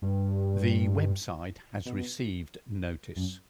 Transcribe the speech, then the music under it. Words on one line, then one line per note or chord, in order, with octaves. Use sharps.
The web site has received notice.
G2
B2
F#2